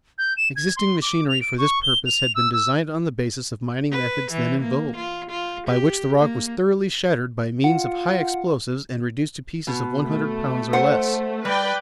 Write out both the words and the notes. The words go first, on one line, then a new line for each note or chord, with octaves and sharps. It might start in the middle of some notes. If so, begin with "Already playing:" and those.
Existing machinery for this purpose had been designed on the basis of mining methods then in vogue, by which the rock was thoroughly shattered by means of high explosives and reduced to pieces of one hundred pounds or less.
G6
E7
G#6
C6
D6
F7
D7
C#6
G7
F7
E6
E6
B4
E3
A#3
F4
F4
G4
A#3
F4 F#5
B2
A3
C5 F#5
G3 B4 D5 G5